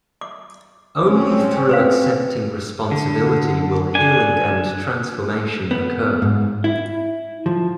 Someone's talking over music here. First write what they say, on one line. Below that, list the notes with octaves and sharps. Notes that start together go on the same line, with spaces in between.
Only through accepting responsibility will healing and transformation occur.
D6
C4 C#4
B4 C5 F5
D3
D4 G#5
B3
G#2
E4
F3